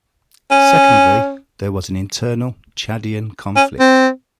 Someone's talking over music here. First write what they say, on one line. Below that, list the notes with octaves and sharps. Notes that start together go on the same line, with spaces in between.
Secondly, there was an internal Chadian conflict.
C#4
C#4
C4